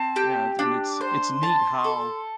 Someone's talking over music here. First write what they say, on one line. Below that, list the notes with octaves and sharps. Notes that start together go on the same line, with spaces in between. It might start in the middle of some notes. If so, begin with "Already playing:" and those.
Yeah, and it's it's neat how
Already playing: C4 A5
G4
D4
D6
C5 C6
A5
A4